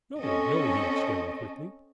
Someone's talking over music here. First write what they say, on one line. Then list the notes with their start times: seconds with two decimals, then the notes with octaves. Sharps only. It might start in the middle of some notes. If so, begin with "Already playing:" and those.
"No, no," he exclaimed quickly.
0.19 C4 C#4 A4 D#5